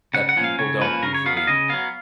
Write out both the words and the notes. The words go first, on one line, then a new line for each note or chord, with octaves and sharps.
that people don't usually
C#3 F#5
F#5
F3 A#3 C#4
F5
C#3 C#5
F3 A#3 C#4 B4
C#3 A#4
C#5
F#3 B3 F5
F5
C#3 D#5
F#3 B3 F5